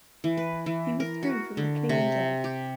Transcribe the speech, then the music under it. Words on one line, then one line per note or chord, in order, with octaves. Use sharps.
He withdrew from the clean and jerk.
E3
B4
E3
A#4
F#4
D3
C3
G4